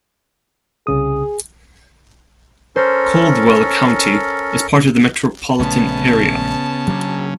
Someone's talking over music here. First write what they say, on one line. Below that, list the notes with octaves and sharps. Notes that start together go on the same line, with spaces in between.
Caldwell County is part of the metropolitan area.
C2 C#3 G#4 D#6
C#4 A4 A#4 C5
A#1 C#3 A3 B3 A5
F#3 A#3 D4 G#4 A#4